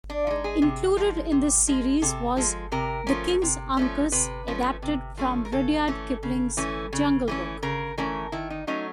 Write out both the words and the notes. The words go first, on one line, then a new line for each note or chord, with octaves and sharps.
Included in this series was "The King's Ankus", adapted from Rudyard Kipling's "Jungle Book".
D4
F3 G#3 D#4
G#4
C3
F3 G#3
C3
F3 G#3
C3 A4
F3 G#3
C3 A#4
F3 A3 C#4
C3
F3 A3 C#4
C3 B4
F3 A3 C#4
C3
F3 A3 C#4
A#4
C#3 A4
E3 A3 C#4
C#3
E3 A3 C#4
C#3
E3 A3 C#4
C#3 A#4
E3 A3 C#4 A#4
D#3 E4
D#4
F#3 A3 C#4 D#4